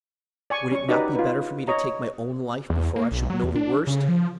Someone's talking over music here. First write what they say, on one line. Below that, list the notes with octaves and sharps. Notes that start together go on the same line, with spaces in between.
Would it not be better for me to take my own life before I should know the worst?
D5 G#5 C#6
C#4 C#6
D#4 F#4 G4 B4 D5
F4 B4
C#5 D#5 A#5
E2
A#3
B1
F#3
E2
D4
C#3
F3